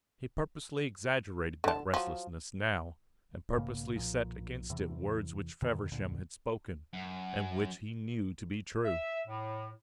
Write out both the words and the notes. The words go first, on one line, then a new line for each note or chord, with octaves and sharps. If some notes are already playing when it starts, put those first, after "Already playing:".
He purposely exaggerated that restlessness now, and purposely set against it words which Feversham had spoken and which he knew to be true.
D3 A5
F3 F#3
B1 G#2 C#3 A#3
B1 A#2 F3
E2 C3 E3
F2 A#2 D3 D#3
F1 D2 A#2 D3
F#2
E5
A2